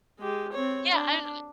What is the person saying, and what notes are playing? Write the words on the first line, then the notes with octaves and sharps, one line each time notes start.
Yeah, and
G#3 G4
C4 C#5
D4